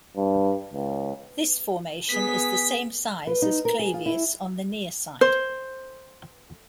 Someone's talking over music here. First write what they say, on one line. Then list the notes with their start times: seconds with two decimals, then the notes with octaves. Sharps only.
This formation is the same size as Clavius on the near side.
0.16 G2
0.74 C#2
2.09 B3 G#4 B6
3.27 B4
3.42 D#4
3.65 A#4
3.79 G#4
3.94 F4
4.06 E4
5.21 C5